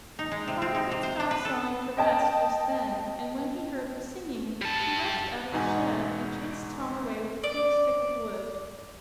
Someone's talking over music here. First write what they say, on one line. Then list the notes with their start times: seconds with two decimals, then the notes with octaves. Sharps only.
The farmer had stopped sawing to rest, just then; and when he heard the singing he rushed out of the shed, and chased Tom away with a big stick of wood.
0.19 D#4
0.32 G#3
0.48 C3
0.62 C4
0.75 D#4
0.92 C3
1.03 C5
1.20 D4
1.31 B4
1.45 A4
1.97 D#5 G5 A5
4.62 G3 A5
5.52 E2 G#2 B2 D#4 F#5 G#5
7.44 D5